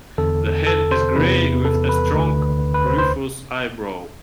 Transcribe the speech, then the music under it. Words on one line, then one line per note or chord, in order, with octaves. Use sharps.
The head is grey with a strong rufous eyebrow.
E2 D3 A4
A4
C5
E2 C3 E3 B4
A4
B4
D2 D3
B4
C5
C5